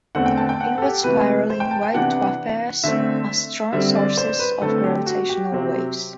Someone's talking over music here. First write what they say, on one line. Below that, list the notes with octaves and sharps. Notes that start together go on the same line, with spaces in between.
Inward spiraling white dwarf pairs are strong sources of gravitational waves.
E2 D3 A3 C4 F#5
G5
A5
G5
F#5
A4
G4
C3 E3 A3 B4
C5
G5
A5
G5
C3 E3 B3 D4 F#5
D3 A3 C4 E5
D3 G3 C4 E5
D5
C5
B4
D3 A3 C4 A4
G4
F#4
G4
C3 F#3 C4